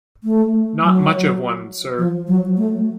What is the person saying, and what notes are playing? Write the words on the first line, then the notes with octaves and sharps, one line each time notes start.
Not much of a one, sir.
A3
F#3
F3
F#3
A3